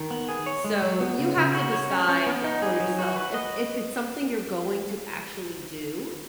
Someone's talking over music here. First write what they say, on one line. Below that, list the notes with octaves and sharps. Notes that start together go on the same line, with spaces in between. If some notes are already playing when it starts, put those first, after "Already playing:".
So, you have to decide for yourself, if if it's something you're going to actually do,
Already playing: D#3
B3
G#4
C#5
G#3
F#3
B3
C#3
C#3
F#4
C#5
C#4
C#4
B3
D#4
G#4
F#3
F#4
B4
D#5